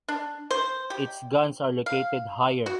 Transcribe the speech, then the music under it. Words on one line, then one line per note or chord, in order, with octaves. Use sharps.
Its guns are located higher.
D4
C5
G4
F5
F#4